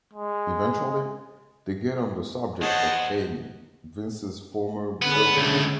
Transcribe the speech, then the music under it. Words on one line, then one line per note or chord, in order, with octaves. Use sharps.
Eventually, they get on the subject of Amy, Vince's former girlfriend.
G#3
E2 G#4 C5 C#5 D#5 F#5 A5
D3 B3 C#4 G#4 B4
C#2 A3